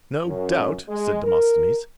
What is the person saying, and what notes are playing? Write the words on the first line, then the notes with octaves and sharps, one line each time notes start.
"No doubt," said Demosthenes.
F#2
G#3
A#4